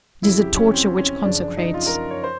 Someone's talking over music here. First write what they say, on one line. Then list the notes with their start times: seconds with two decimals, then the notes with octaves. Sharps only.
It is a torture which consecrates.
0.23 F2 C#3 F#3 E4
0.40 G4
0.57 C#4
0.74 C4
0.99 C#4
1.23 F#2 C#3 F3 D4
1.40 D4
1.57 D#4
1.74 F4
1.87 A#4
2.11 C#5
2.24 C5